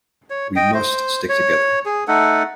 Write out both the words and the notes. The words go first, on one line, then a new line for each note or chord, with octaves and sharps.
We must stick together.
C#5
D#5 G5
C5
C#5
G#4
A3 D#4 A4 F#5